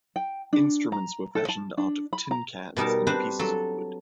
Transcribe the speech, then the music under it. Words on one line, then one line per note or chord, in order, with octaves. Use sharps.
Instruments were fashioned out of tin cans and pieces of wood.
G5
D4
A#5
A4
A5
D4
B5
A#5
B2 G3 D#4 A#4 A5
C4 D4 B4 C5
F#3 A4